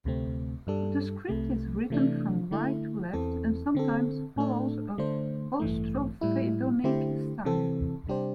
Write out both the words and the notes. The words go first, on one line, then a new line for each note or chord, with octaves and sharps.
The script is written from right to left, and sometimes follows a boustrophedonic style.
D2 C3 A3 C4
G2 G3 D4 A4
C2 C3 A3
C3 E3 A3 D4
D3 A3 E4
E2 E3 C4 A4
D3 C4 A4
A2 A3 D4 A4
D3 A3 D4 C5
A1 G2 E3 A3
A2 G3 E4
D3 A3 E4 G4 C5
C3 E3 C4 A4
C3 G3 D4 G4 C5